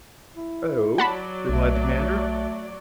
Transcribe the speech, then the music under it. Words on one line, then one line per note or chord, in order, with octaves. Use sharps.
"Oh?" replied the commander.
E4
F#3 D5 F#5 A5 B5
B1 A3